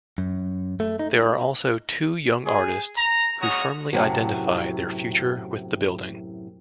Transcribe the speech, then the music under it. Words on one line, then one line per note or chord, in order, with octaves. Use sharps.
There are also two young artists who firmly identify their future with the building.
F#2
A3
D#4
G#4
A#5
G#3 C#4 F#4 C#5 A#5 D#6
F#2 A2 C3 F#3